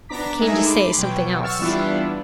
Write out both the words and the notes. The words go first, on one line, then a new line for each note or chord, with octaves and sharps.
'I came to say something else.'
B3 D4 A#5 D6 B6
G#3 A3 D#4 G#4 A#4 E5
B5 C6 D6
B2 F#3 G5
C#6 E6 F6 A6 C#7
E3 G3 B3 D4 E4 F4